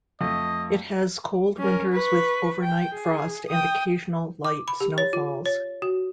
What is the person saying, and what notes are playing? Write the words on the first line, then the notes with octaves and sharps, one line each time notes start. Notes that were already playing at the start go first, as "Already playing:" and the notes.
It has cold winters with overnight frost and occasional light snow falls.
F2 A3 D#5
C#4 A#4
B4 C#6
G5
G#4
G5 D#6
D6
B5
G4
C#5
F4
C#5
F#4